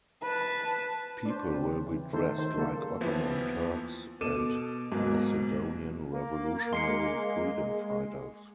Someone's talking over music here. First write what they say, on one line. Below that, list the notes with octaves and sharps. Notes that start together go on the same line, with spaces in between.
People will be dressed like Ottoman Turks and Macedonian revolutionary freedom fighters.
B4 A5
D4 C5
C#3 C4
E3
D#3 A3 D#4 A4 C5
D#3 C5
C#3 G3 A#3 A4
D#2 E3 F3 B3 E5
B2 A4 D6 D#7 E7
G#2 B2 F#3 A#3
A#3
G#3 C6 C7 C#7